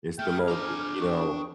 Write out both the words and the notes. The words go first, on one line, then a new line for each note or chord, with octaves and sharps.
It's the most, you know,
A3 G#4 G5 F6
D4 A#5 D6
G5 C#6 D#6